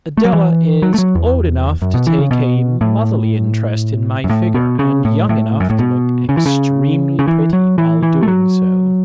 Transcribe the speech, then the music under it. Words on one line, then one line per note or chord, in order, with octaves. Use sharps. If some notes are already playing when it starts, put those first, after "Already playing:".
Adela is old enough to take a motherly interest in my figure, and young enough to look extremely pretty while doing so.
A3
F#3
E3
F#3
A3
F#3
E2
F#2
B2
E3
C#3
B2
A2
F#2
A2
B2
C#3
A2
A2
F#2
A2
B2
C#3
E3
C#3
C#3
E3
F#3
E3
E3
A3
F#3